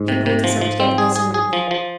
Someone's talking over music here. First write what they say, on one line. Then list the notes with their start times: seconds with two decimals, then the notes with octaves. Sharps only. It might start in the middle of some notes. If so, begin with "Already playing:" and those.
She pulled herself together resolutely.
Already playing: G#2
0.08 C3
0.26 C3
0.44 F3
0.61 F3
0.80 C4
0.98 G#4
1.16 G#4
1.34 G#4
1.53 F3
1.71 F3